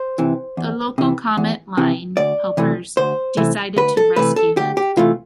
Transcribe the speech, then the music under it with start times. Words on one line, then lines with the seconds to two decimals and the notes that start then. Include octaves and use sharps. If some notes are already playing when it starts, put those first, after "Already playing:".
The local Comet Line helpers decided to rescue him.
Already playing: C5
0.18 C3 E3
0.57 E2
0.98 C3 E3
1.37 E2
1.77 C3 E3
2.17 D2 D5
2.57 C3 E3 A3
2.97 D2 C5
3.37 C3 E3 A3
3.76 D2 B4
3.97 A4
4.16 C3 E3 A3 B4
4.36 A4
4.57 D2 G4
4.77 G4
4.97 C3 E3 A3 F4